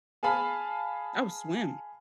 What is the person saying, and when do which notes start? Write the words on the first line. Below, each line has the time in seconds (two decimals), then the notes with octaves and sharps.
Oh, swim.
0.23 G#4 F5 G#5 A5 B5 F6